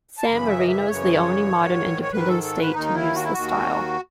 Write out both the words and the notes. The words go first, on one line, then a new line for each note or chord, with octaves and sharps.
San Marino is the only modern independent state to use the style.
A5
F#2 C#3 E3 B5
E5
D#5
E5
F#2 C#3 E3 C#5
G#2 D#3
C#5
G#2 D#3 B4
A4
A4
B4
D#2 D#3 D#4
E4
F#4
E4
D#2 D#3 F#4